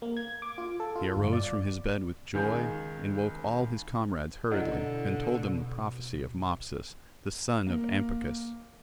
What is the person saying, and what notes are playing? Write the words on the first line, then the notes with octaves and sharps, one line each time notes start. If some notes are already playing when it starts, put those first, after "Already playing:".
And he arose from his bed with joy and woke all his comrades hurriedly and told them the prophecy of Mopsus the son of Ampycus.
A#3
G#6
D6
F4
A4
F4
G1
D5
C#2 D#3 G#4 G6
B2 D3 E4 D#5 F#5
A#3